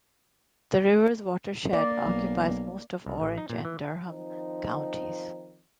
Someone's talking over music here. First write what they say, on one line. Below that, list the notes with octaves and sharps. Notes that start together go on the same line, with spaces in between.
The river's watershed occupies most of Orange and Durham counties.
A#3 D5
B1
C2
A1
D#4
A#2
E3
D#3 F3 C4 D#4